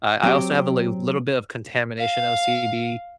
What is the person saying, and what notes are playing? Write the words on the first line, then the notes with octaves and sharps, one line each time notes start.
I I also have a li little bit of contamination OCD,
F#3 C4 G4
F5